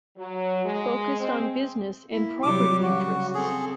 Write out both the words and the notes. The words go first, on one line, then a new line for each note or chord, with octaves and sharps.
Focused on business and property interests.
F#3
G#3
C4
A#3 E4
C3 F#3 G3 D6
C#3 F#4
C4 G#4 A4